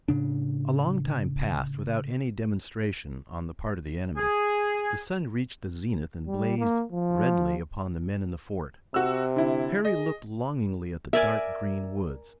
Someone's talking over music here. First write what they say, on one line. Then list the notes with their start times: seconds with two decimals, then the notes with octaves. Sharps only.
A long time passed without any demonstration on the part of the enemy. The sun reached the zenith and blazed redly upon the men in the fort. Harry looked longingly at the dark green woods.
0.08 A2 C#3 D4
4.17 G#4
6.27 G3
6.58 A#3
6.92 F3
8.94 C3 F#4 E6
9.36 D3 E4
9.85 G#4 D#5
11.13 A#4 D5 E5 G#5